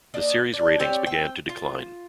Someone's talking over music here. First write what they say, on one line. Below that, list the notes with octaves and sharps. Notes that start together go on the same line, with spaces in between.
The series' ratings began to decline.
A#3 D4 D#5
D4
C4 G4 C#5 D5
C4 G5
F4